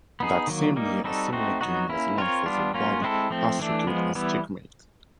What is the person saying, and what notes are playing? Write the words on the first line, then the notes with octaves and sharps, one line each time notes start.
That same year, a similar game was launched for the Bally Astrocade as "Checkmate".
B3 D#4 G#4
D#3 F#3 A#3
G3 A#3 D#4
G3 C4 D#4 F#4 A4
A3 C4 D#4 F#4
F#3 B3 D#4 F#4
A#3 C#4 E4
C4 F4 A#4 C#5
G3 B3 D4 F4
F#3 A#3 C#4 F4
G#3 C4 E4 A4
F3 A3 C4
E3 A3 D4
F3 G#3 B3
E3 G3 B3 E4